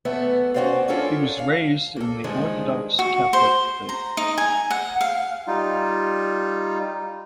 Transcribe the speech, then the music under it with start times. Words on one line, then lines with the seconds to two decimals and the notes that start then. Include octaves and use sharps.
He was raised in the Orthodox Catholic faith.
0.05 E2 A3 B3 E5
0.54 C#4 F#4 G4 C5 D5 F5
0.88 C#4 D4 F4 A4 A#4 C#5
1.39 F5
1.96 A#3 A4
2.24 G2 D3 D#3 F3 G#3
2.99 F#4
3.33 C5
3.89 A#5
4.17 D#4
4.38 G#5
4.71 F#5
5.01 F5
5.47 G3 D#4 F4